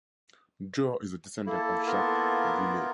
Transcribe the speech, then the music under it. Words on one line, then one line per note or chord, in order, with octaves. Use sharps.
Joe is a descendant of Jacques Goulet.
A#3 E4 A4
B3 F4 A4 A#4